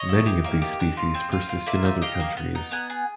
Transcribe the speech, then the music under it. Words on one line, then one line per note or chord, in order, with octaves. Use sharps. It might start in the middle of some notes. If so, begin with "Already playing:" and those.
Many of these species persist in other countries.
Already playing: C#5 D#5
E4
G4
A#3
G4
D4
F4
C4
F4
F4
A#3 D5 E5
D#4
G4 D#5 F5
A#3
B3
D#4
B3 F#5 G#5
G#4